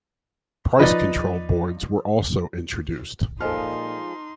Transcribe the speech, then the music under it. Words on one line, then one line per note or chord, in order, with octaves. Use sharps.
Price control boards were also introduced.
F3 D#4 B4 D5 A6
A#2 F3 G#3 D#4 F4 A4 C6 F6